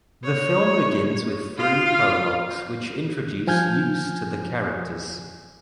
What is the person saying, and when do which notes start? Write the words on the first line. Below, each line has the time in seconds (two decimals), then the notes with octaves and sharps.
The film begins with three prologues which introduce use to the characters.
0.24 C#5
1.57 F4 F5
3.47 F3 G#5 F6 G6 G#6